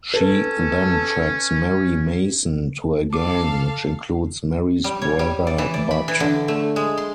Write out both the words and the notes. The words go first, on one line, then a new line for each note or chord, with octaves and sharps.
She then tracks Mary Mason to a gang, which includes Mary's brother, Bud.
C#4 A4 B4
A4 F5 D6
G3
C#5
G3
D5
E3
D5
B5
E3
D3
A3
G#3
C6